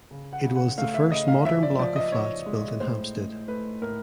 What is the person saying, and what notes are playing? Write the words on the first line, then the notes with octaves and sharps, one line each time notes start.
It was the first modern block of flats built in Hampstead.
C#3
F#5
C#3
F#5
A3 F5
E5
C#3 D#5
F5
F3 E5
D5
F3 D5
D#5
F3 C#5
G#3
A2 C5
A2
A3 B4
A2 A#4